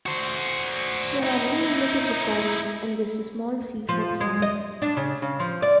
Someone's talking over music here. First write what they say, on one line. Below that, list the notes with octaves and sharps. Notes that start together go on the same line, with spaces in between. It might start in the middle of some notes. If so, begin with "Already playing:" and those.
There are no membership requirements and just a small fee for joining.
F#4 C5
D#4 E4
F3
G#3
D#5
D4
C#3
C#3
F3
D5